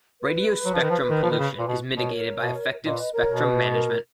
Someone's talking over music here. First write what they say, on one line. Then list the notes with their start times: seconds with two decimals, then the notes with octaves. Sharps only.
Radio spectrum pollution is mitigated by effective spectrum management.
0.22 B4
0.65 F#3
0.74 F3
0.82 D#3
0.90 F3
1.10 D#3
1.23 F3
1.31 D#3
1.39 C#3
1.58 A#2
1.68 B2
1.96 B2 A#4 C#5
2.40 B2
2.84 A#2 B4 D#5
3.13 A#4 C#5
3.28 B2
3.43 B4
3.72 A#4